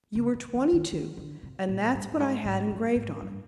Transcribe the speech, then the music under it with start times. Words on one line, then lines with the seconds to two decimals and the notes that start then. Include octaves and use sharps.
You were twenty-two and that's what I had engraved on it.
0.15 C#3
0.35 D#3
0.54 E3
0.73 D#3
0.92 D#3
1.17 D3
1.43 C3
1.68 A#2
1.94 G2
2.12 G2
2.20 G#2
2.45 G#2
2.71 G2
2.95 G#2
3.21 G2